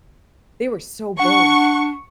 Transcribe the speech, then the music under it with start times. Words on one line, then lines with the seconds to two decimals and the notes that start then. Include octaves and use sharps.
They were so big.
1.19 D4 F#5 C#6